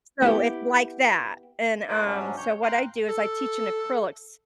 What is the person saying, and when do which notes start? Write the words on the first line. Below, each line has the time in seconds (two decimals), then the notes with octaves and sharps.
so it's like that, and, um, so, what I do is I teach in acrylics,
0.22 B3 E4 G4
1.88 A3 A#3 E4 A#4 C5 D5
2.05 G#2 C3 F#3 C#4 D4
2.37 C#5 G6
2.63 F5 G5 A#5 C6 F#6
3.09 A4